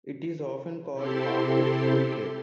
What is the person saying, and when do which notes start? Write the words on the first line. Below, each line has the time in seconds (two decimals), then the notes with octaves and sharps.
It is often called After School Care.
0.93 C3 C4 E4 G4 A4 C6